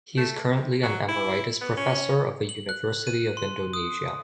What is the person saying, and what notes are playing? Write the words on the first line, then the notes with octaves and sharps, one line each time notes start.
He is currently an Emeritus Professor of the University of Indonesia.
A3
C3
F#3
E4
B3
C#4
F#7
F#6
D#7
C6
D#6